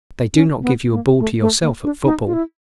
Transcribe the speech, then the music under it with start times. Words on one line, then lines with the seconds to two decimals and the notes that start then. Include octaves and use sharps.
They do not give you a ball to yourself at football.
0.34 C#4
0.62 B3
0.91 A#3
1.19 A3
1.41 A3
1.62 A#3
1.84 D4
2.04 D#4
2.26 F4
2.33 E4